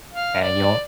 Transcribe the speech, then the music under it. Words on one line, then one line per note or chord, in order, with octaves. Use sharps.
and you won't
F5
D5